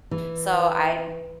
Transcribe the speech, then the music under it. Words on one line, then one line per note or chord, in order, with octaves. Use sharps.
so I
E3